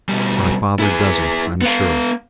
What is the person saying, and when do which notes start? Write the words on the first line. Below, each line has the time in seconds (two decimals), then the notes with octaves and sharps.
My father doesn't, I'm sure.
0.09 B2 G3
0.80 E4 G#4
1.61 B3 F5